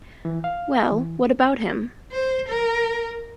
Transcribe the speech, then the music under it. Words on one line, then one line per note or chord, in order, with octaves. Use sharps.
Well, what about him?
E3
F5
E3
C5
A#4